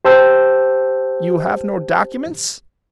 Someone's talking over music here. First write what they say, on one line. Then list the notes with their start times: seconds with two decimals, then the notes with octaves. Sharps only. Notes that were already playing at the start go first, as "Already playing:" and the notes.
"You have no documents?"
0.05 G4 C5 A5 E6 G6